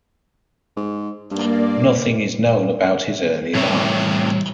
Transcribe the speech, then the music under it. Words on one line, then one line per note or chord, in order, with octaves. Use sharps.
Nothing is known about his early life.
G#2
G2 A#3 D5
A2 C3 G3 C#5